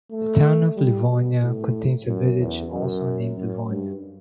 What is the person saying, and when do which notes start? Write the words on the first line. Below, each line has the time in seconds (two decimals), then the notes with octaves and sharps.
The Town of Livonia contains a village also named Livonia.
0.11 A3
0.76 G3
1.09 B2
1.41 A2
2.06 F#2
2.39 E2
2.72 F#2
3.37 F#2
3.70 G2